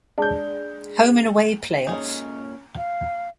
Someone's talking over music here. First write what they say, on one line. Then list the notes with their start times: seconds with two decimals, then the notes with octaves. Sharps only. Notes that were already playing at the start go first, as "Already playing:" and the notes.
Home and away playoff.
0.18 G#3 D4 G6
1.87 A#2 C#4 D#4 G#4 C#5
2.77 F5